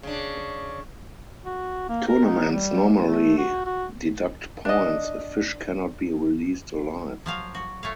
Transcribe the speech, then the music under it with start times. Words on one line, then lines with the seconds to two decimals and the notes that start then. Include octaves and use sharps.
Tournaments normally deduct points if fish can not be released alive.
0.03 C#3 D4
1.45 F#4
1.89 A#3
2.08 A#4
2.25 D#4
2.52 G3
3.05 A3
3.38 F#4
3.66 F#4
4.65 D4 D#5
7.26 F3 F#3 F5
7.55 F#4
7.83 A3 C#5 F5